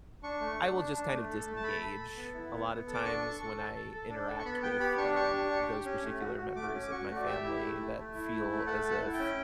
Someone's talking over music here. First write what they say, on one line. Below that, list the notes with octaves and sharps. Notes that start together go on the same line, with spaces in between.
I will just kind of disengage a lotta times when I interact with, um, those particular members of my family that feel as if
D4 C#6
A3
D4
D4
D4
A3
A4
A3
A5
A4 B5
A4
A4
B3
E4
B3
B3
A4
D6
D4 C#6
A4
A4
A4
A4
A4
D4
A4
C#6
B3 B5
B3 G5
G4 B5
D4 C#6
G4 C#6
D4
G4
G4
C#4
A3
F#4
F#4
A3 D6
C#4
D6
F#4 C#6
A3
D5
G4 E5
E4
A3
A3
A3
E4
A3
A3
A4 F#5
A4
F#5
E4
G5
C#4